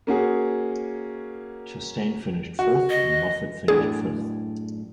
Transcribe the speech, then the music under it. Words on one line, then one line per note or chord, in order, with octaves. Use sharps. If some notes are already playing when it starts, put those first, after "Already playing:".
Chastain finished fourth and Moffitt finished fifth.
A#3 C#4 F#4 G#4
F#4
D#5
F#2 A2 D4 G#4